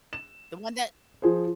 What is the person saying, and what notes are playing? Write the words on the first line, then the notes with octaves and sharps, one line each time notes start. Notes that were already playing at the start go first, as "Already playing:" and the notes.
the one that
E7
F3 G#4 C5